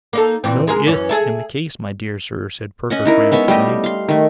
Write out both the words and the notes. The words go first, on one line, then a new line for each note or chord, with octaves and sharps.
'No "if" in the case, my dear Sir,' said Perker triumphantly.
A#3 D#4 A4
A#2 E3 C4
G#3 G#4 A#4
F#2 E3 C#4
G#4 A4 E5
C#4 D#5 F#5
D#4 E4 A#4
G#3 B3 C#5 E5
G3 A3 G4 D#5
F5 C6
D#3 A3